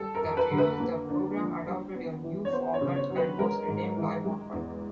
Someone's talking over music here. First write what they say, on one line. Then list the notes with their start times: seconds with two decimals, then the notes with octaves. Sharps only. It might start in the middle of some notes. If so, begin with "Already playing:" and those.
That year, the program adopted a new format, and was renamed "Live on Five".
Already playing: G3 A4
0.15 A#4
0.23 F2
0.37 B4
0.51 D3
0.58 B4
0.80 A#3
1.09 D4
1.37 F3
1.66 G3
1.95 B3
2.23 E3
2.45 C#5
2.52 B3 C5
2.74 C#5
2.81 C#3
2.96 C#5
3.10 F#3
3.17 B4
3.39 G#3 A#4
3.68 G#2
3.97 E3
4.25 G#3
4.53 E2